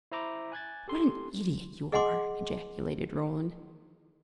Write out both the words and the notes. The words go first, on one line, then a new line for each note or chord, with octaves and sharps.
"What an idiot you are!" ejaculated Roland.
E4 C5 E5 A#5 B5 D6
G#5 F#6 G#6 A6
G4 A4 C6
G#4 D#5 F#5 G#5 C6 D6